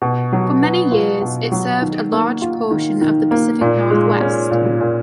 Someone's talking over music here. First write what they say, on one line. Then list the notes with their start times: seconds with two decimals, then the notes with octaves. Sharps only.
For many years, it served a large portion of the Pacific Northwest.
0.02 B2
0.32 F#3
0.62 B3
0.91 F4
1.21 B2
1.52 F#3
1.82 D#3
2.12 A#3
2.42 F4
2.71 D#3
3.01 D#3
3.31 A#3
3.61 A#2
3.90 G#3
4.20 C#4
4.51 A#2
4.80 A#2